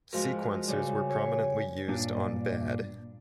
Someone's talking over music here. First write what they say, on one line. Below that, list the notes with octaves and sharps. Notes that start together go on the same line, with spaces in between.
Sequencers were prominently used on "Bad".
G#2 F3 F#4 A#4
C#3 G3
C#5
G2 A#2 D4